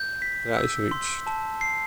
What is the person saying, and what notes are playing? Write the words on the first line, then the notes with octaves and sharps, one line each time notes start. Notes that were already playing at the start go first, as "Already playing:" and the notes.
Price reached.
Already playing: G6
B6
E6
C6
A5
C7